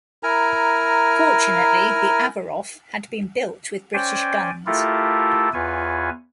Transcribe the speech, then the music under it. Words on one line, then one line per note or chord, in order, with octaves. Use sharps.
Fortunately, the "Averof" had been built with British guns.
E4 A#4 G#5 A#5
C#4 C5 D5 G5 G#5
A3 E4 F4 G4 A4 A#4
E2 F4 B4 C#5 G#5